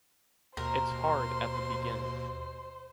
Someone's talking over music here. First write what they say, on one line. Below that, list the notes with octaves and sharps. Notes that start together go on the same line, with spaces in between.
It’s hard at the beginning.
D#2 B2 A#4 C5 C6